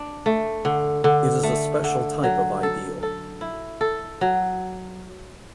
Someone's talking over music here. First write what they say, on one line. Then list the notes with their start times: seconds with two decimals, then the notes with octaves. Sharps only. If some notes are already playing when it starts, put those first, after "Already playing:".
It is a special type of ideal.
Already playing: D4
0.26 A3
0.65 D3
1.04 D3
1.43 A3
1.84 D3
2.23 F#3
2.63 A4
3.03 A4
3.41 E4
3.81 A4
4.21 F#3